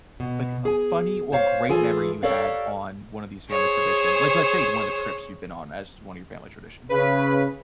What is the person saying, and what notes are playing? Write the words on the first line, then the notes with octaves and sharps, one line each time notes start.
like, a funny or great memory you had on one of these family tradition? Like, let's say, one of the trips you've been on as one of your family traditions.
B2
G#4 G#5
C5 C#5 F5
E3 F4 G#4 A4 G#5
G4 A4 A#4 C#5 D5 F5
G#4 C5 C#5
C#3 B4